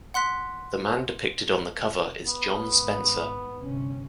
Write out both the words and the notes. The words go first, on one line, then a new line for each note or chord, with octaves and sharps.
The man depicted on the cover is Jon Spencer.
F#5 C6 F#6 B6
B3
G#1
G1 C3 C#4